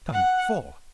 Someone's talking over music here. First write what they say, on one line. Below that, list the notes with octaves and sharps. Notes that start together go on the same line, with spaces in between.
Come, four?
F#5